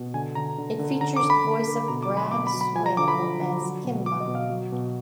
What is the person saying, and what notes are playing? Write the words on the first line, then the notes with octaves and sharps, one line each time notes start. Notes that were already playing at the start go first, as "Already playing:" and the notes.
It features the voice of Brad Swaile as Kimba.
Already playing: B2
D3 G#5
D3 A#5
D3
D3
D3 A#5
D6
D3
B5
D3
D3
B2 A#5
D6
F#3
B5
B2 D6
B5
F#3
B5
F3 G#5
A#5
D3 D6
B5
F3
D3
F#3
B2
F#3 D6
D#5
B2
F5
F#3
B2